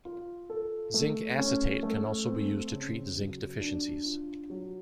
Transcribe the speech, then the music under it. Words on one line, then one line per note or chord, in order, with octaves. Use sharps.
Zinc acetate can also be used to treat zinc deficiencies.
F4
A4
A3
C#4
A3
C4
C#3
F#3
D4
F4
F#3